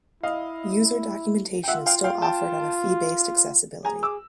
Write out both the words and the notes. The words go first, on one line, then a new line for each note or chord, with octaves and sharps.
User documentation is still offered on a fee-based accessibility.
E4 D#5 F5
G5
F4 E5 F#5
F5 G5
F5 G5
G5 A5
G#4 G#5 A#5
D6 E6